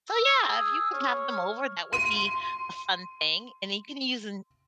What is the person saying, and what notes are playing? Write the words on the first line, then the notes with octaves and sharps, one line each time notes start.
So, yeah, if you can have them over, that would be a fun thing. And you can use an
E6
G#4
C#5 F6
C6 D#7